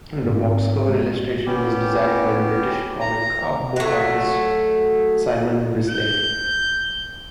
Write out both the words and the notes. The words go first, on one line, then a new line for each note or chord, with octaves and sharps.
The box cover illustration was designed by the British comic book artist Simon Bisley.
G#2 C4
G#3
B3 C#4 G4
A#5
F#3 A3
G6